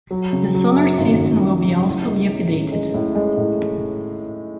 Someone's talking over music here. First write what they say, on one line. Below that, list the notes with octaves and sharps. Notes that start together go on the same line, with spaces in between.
The sonar system will be also be updated.
F#3
C#3
F#3
F#2
G#1
G#1
F#2
C#3
A2
G#3
C#4
A2
G#3
A2
G#3
A2